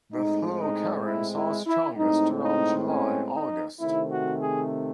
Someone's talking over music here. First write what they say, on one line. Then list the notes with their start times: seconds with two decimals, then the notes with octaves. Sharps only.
The flow currents are strongest around July-August.
0.13 A2 G#3 C4 D#4
0.59 D#4
1.05 E4
1.36 E4
1.66 E4
1.97 A2 G#3 C4 D#4
2.43 D#4
2.89 C#4
3.34 D#4
3.80 C3 D#3 A3 C4 E4
4.11 F#4
4.42 G#4